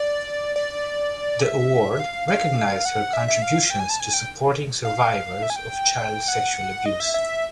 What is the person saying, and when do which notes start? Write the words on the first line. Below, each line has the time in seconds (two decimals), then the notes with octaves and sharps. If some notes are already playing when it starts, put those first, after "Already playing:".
The award recognised her contributions to supporting survivors of child sexual abuse.
Already playing: D5
0.56 D5
1.43 E5
2.00 F5
2.28 F5
2.85 F#5
3.13 E5
3.28 E5
3.42 F5
3.70 G5
3.80 G#5
3.90 A5
4.00 G#5
4.13 G5
4.85 F5
5.43 E5
5.50 G#5
5.56 G5
6.28 F#5
6.86 D#5
7.00 E5
7.14 E5